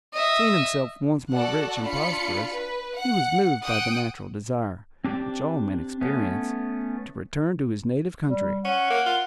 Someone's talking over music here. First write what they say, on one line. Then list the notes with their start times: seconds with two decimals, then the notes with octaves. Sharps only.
Seeing himself once more rich and prosperous, he was moved by the natural desire, which all men experience, to return to his native country.
0.14 D#5 E5
1.31 F#4 A4 D5 F#5
1.84 D4 F4 B5 C#7
2.51 B4
2.96 F#5
3.63 F#5 G5 D#6 D7
5.04 C4 D4 G4 G5
6.01 A3 B3 C#4
8.28 G3
8.65 C#4 F#5
8.90 A#3
9.06 F4